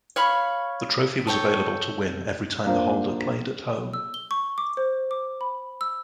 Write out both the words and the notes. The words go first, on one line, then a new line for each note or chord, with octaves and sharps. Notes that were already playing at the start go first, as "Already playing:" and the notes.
The trophy was available to win every time the holder played at home.
C#5 F5 B5 C#6
A4 C#5 G5
A#3 D4 F4 C5
E6
G7
C#6
D6
C5
D6
B5
E6